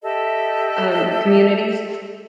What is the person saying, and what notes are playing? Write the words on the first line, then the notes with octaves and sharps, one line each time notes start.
um, communities,
G4 A4 D#5 E5